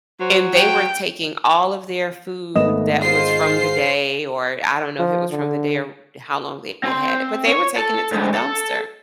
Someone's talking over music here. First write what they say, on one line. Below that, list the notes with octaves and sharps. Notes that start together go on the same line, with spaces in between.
and they were taking all of their food that was from the day, or I don't know if it was from the day or how long they had had it, but they were taking it to the dumpster.
F#3 C5
G5
G#1 A3 B3 D#5 E7
F4 G#4 C5 C7
F3
D3
C4 C6
C#5
A4
D2 G#2
A4